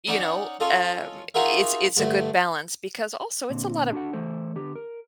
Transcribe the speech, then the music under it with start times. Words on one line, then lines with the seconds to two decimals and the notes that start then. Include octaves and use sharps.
you know, um, it's it's a good balance because also it's a lot of
0.08 C#4 D#4 D5 F#5
0.60 C#4 F4 A4 D#5
1.34 D#4 F4 F#4 G#4 A#4 E5
1.97 G2 D3 A3
3.50 A#2 D3 C4
3.92 D4 F#4 A4 F#5
4.13 E3 A3 A4 C5
4.56 D3 B3 G4
4.75 A#4